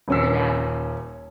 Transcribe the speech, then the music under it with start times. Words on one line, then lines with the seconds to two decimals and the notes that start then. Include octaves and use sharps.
For your dad.
0.08 D#1 C#4 E6